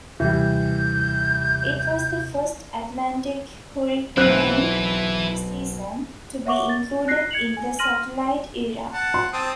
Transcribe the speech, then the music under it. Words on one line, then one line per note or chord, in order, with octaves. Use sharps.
It was the first Atlantic hurricane season to be included in the satellite era.
D#2 C3 E3 G3 G6
B1 C4 E4 B4 F#6
C#5 E5 F#5 C#6 D6
A6
F#6 A#6 C7
G#6 C#7 F7 F#7
G#5
C6 F6 A#6 D#7 F#7
F#5 A5
C6
C4 A5 D#6